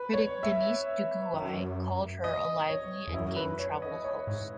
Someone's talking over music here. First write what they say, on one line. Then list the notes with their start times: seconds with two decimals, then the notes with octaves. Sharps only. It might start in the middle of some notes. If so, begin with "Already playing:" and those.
Critic Denise Duguay called her a "lively and game travel host".
Already playing: B4
0.13 C#5
0.43 E5
1.34 F#2
2.24 D#5
2.69 C#5
3.08 E2
3.14 F#2 E4
3.36 B4
3.59 C#5
3.82 D#5
4.04 C#5
4.27 G#2